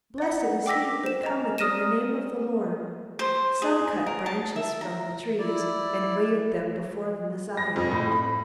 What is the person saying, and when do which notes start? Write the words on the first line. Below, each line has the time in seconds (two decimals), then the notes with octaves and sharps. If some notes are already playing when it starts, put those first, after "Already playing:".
"Blessed is he that cometh in the name of the Lord." Some cut branches from the trees, and waved them before the Messiah.
0.18 D5 F#5
0.66 G5 D6 E6 A#6 B6
1.03 C5 E7
1.23 D#5 A#5
1.58 D5 D#6 F6 A#6 D#7 E7
3.19 C5
3.62 G#4
4.07 A#4
4.26 A5
4.56 E5
4.81 A#5
5.39 E4 D5
7.57 A#6
7.76 F2
7.91 A2
8.12 B5